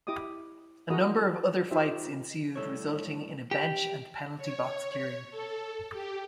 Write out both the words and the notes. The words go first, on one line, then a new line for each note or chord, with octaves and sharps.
A number of other fights ensued resulting in a bench- and penalty-box clearing.
E4 G4 D#5 D6 D#6
E4 F#4 G#4 A#4 D#5 D#6
D#4 F4 G4 C5 E5
A2 G3 A4 C#5
G4
C#5
A4
G4